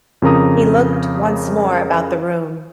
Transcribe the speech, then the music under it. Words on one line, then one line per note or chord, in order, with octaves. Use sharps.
He looked once more about the room.
F2 C#3 A#4 A#5 D#6